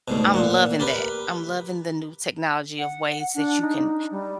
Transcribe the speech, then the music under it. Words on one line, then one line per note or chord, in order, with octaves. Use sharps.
I'm loving that. I'm loving the new technology of ways that you can
D2 G#2 B2
A#2 F#5
G4 A#4 B4
F#5
D4
D#4
G3